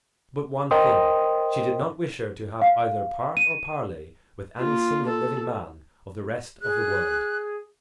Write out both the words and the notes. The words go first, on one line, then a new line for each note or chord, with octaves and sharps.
But one thing, she did not wish her to have either part or parley with any single living man of the rest of the world.
A#4 C5 D#5 G5 C6 D#6
F5
D#7
A#3 F4
A4
G#4 F#6